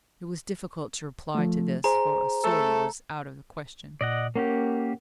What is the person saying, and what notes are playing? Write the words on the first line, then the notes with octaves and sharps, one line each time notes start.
It was difficult to reply to this, for a sortie was out of the question.
F3 A3
G#4 C5 A#5
A3 A4
A#2 D5 D#5 F#5
A#3 C#4 G4 A#4 F#5